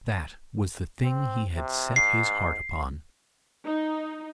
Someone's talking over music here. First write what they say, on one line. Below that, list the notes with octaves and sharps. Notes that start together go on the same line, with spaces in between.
That was the thing he had set his heart upon.
C4
C3
G#2 C7
D#4